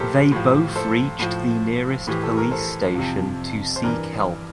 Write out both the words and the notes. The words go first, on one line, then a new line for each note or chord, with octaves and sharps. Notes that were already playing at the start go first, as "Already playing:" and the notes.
They both reached the nearest police station to seek help.
Already playing: A2 F3 G4 A4 A#4 C5
A2 F3
A4 C5
A2 F3
A2 E3 G4
A4
A#4
A4 C5
F2 C3 F3
C5
G2 E3 A#4 D5